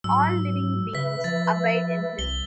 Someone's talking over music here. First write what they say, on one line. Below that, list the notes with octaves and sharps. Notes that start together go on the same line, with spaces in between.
All living beings abide in Him.
G#2 F#3 E6
C#3 B4 E5 B6
F3 A6
C2 G7